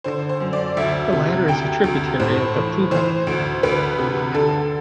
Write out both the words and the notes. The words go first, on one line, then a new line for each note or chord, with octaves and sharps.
The latter is a tributary of the Kouga.
D3 C5
C5
F#2
D5
D2 E5
C3
D2 G5
D2
A2 C5
E3
E3 C5
D2
D2 B4
C3
D3 A4